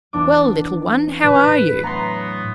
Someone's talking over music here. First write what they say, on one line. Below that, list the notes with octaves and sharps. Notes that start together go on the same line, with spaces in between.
'Well, little one, how are you?
E2 D4 D6
A2 B4
F#3 A3 B3 A#5 C6